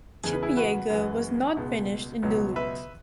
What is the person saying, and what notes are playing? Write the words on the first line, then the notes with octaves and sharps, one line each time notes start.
Kipyego was not finished in Duluth.
E2 C#3 G#3 G#4
B4
E4 G#4
F#4 B4
F#2 E3 G#3
C#2 B2 G#3
C#2 B2 F#3
B4 E5